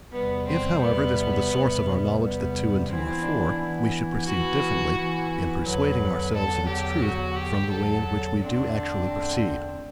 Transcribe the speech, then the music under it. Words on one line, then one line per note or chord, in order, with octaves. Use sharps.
If, however, this were the source of our knowledge that two and two are four, we should proceed differently, in persuading ourselves of its truth, from the way in which we do actually proceed.
E2 C3 G3 B3
C4
E2 C3 G3 B3
E2 C3 G3
E2 C3 G3 B3
E3 B3 C4 E4
D4
E3 B3 E4
E3 B3 E4 F#4
E3 B3 E4
E2 D3 F#3 B4
E2 D3 F#3 A4
G4
E2 D3 F#3 F#4
G4
E2 D3 F#3 A4
E2 D3 A3 C4 D4
E2 D3 A3 C4